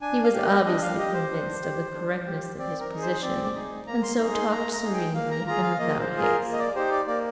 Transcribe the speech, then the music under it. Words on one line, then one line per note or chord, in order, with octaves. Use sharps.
He was obviously convinced of the correctness of his position, and so talked serenely and without haste.
D4 G#5
F5
G4 D5
D#5
D4 D#5
F5
G4 D#5
C5
D4
G4
D4
G4
C4 D5
A#4
D#4 G#4
C5
C4 D5
D5
D#4 G#4
A#3 A#5
C6
D#4 G#4 A#5
C6
A#3 A#5
A#5
D#4 G#4
G5
A#3 F5
A#5
F4 G#4 A#5
F5
A#3 D#5
C5
F4
G#4
A#4
A#3
D#5
D5
D#4 G4 C5
D5
A#3 D5